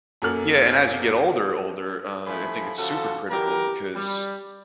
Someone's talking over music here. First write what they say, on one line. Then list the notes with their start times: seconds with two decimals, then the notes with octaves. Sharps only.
yeah, and as you get older, older, uh, I think it's super critical because
0.22 F#2 F#3 A#3 A4 F6 F#7
2.26 A2 F3 A3 G#5 B5
2.78 C#3 F3 F#4 A4
3.30 D3 E3 G4 A#4
3.96 G3